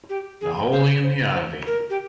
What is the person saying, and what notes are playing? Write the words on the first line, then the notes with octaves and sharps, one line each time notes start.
The Holly and the Ivy.
G4
G#4
C5
C5
C5
A#4
G4